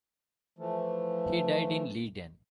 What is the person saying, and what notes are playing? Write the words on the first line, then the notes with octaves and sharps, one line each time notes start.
He died in Leiden.
E3 F3 A3